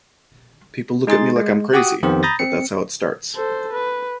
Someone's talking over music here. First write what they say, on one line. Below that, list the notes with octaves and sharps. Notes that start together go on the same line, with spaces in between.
People look at me like I'm crazy, but that's how it starts.
G#3 D#4 G#4 C6 A6
G#3
F#4 G4 F#5 D6 D#6
F2 D#3 B3 G4 C5
A#5 B5 D#6 G6 A6 A#6
C4 C#7
A4 C5
B4